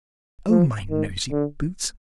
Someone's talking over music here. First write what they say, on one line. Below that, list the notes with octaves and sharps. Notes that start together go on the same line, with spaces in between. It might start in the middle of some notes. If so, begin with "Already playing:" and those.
O my noisy boots!
F3
D#3
D3